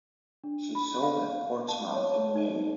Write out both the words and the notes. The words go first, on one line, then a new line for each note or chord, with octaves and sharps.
She sold at Portsmouth in May.
D4
B5
F5
A5
C#5
D#4